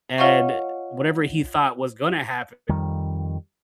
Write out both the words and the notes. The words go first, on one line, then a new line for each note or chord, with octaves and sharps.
and eh whatever he thought was gonna happen
F4 C#5 D#5 F5 F#5 C#6
F2 D#3 G3